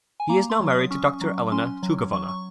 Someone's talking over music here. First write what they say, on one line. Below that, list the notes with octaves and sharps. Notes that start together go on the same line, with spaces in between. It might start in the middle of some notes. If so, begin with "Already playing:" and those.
He is now married to Doctor Elena Tchougounova.
G#5
A#3 A#5
C6
F#3
D#6
C#4 C#6
F#3
C#4 C6
F#3
F#3 C#6
C#6